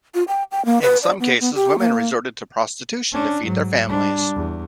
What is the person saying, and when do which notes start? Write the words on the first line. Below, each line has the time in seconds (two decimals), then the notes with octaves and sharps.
In some cases, women resorted to prostitution to feed their families.
0.14 F4
0.28 G5
0.51 G5
0.65 A#3
0.82 B4
1.03 D5
1.20 B3
1.41 B3
1.55 G4
1.79 A#3
3.13 C#4 D4
3.43 G#2 F#3
3.86 G3 D4
4.35 E2